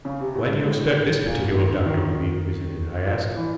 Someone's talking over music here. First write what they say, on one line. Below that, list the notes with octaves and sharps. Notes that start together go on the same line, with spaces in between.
"Why do you expect this particular doctor will be visited?" I asked.
C#3
C3
B2
G#2
A2
A#2
B2
D#3
D3
D#3
F3
F3
E3